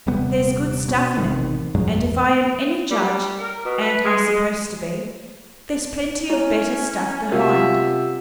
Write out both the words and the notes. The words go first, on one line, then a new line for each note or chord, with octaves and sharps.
There's good stuff in it, and if I am any judge, and I'm supposed to be, there's plenty of better stuff behind.
D#1 C3 G3 B3
B2
A1 C3 D#3
F#2 A#2 F#3 G#3
A1 E2
G3
A#4
B2
B4
G#3
G#3
C#4 E4 C#5
C3 F4 F#4 A#4 E5 F5